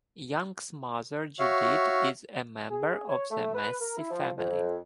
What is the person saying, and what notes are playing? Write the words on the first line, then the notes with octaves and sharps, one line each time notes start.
Young's mother Judith is a member of the Massey family.
F#4 C#5 E5 F5
G#4
C#5
A3
B4
A#4
E4
F3
F2